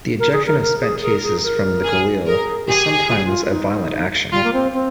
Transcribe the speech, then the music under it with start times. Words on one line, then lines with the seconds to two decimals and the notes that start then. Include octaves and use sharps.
The ejection of spent cases from the Galil is sometimes a violent action.
0.19 A#4
0.33 G#4
0.47 A#4
0.61 A#4
0.81 G#4
1.02 G#4 A#4
1.22 G#4
1.43 A#4
1.84 G#4
2.26 G#4 A#4
2.67 G4 G#4
3.09 F4
3.16 G4
3.24 F4
3.50 D#4
4.32 G3 F4
4.44 A#3
4.53 C4
4.73 C4